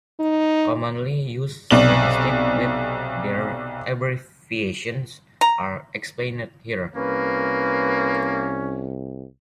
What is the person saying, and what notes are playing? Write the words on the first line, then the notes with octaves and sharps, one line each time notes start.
Commonly used statistics with their abbreviations are explained here.
D#4
B1 C3 D5 F#7
A#5
C2 A#3 C#4 B4